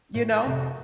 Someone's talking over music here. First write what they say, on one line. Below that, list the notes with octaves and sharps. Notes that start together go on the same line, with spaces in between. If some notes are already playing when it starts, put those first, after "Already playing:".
you know?
A2
A3 A#4 A5
F1 G4 A#5 A#6
F#4